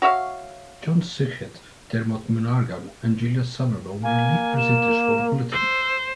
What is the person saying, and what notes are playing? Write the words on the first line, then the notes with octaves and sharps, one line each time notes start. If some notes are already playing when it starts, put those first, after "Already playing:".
John Suchet, Dermot Murnaghan, and Julia Somerville were relief presenters for the bulletin.
F#4 C#5 E5 F5
A#3 G#5
E7
C5 E6